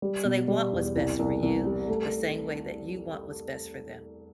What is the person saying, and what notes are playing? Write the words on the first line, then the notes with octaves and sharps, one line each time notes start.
So they want what's best for you the same way that you want what's best for them.
G3
B2
G3
E2
C2
C2
C2
G3
A3